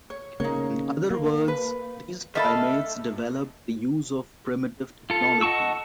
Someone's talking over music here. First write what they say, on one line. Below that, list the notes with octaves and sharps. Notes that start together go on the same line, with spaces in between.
In other words, these primates developed the use of primitive technology.
C#5
C#3 A#3 D#4 C#5
A#3
B4
D#3 A3 A4 E5 F5 A5 B5
F4 A4
D#5 F#5 A5 C#6 E6